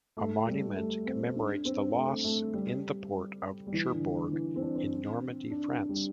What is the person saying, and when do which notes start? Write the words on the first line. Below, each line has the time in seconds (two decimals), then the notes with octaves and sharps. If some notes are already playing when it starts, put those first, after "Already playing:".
A monument commemorates the loss in the port of Cherbourg in Normandy, France.
0.17 A3
0.47 G3
0.76 A3
1.06 C4
1.35 D4
1.65 C4
1.95 A3
2.24 A3
2.54 G3
3.67 G3
3.73 E3
3.92 D3
4.32 E3
4.56 C4
4.61 D4
4.76 C4
5.50 D4
5.89 G3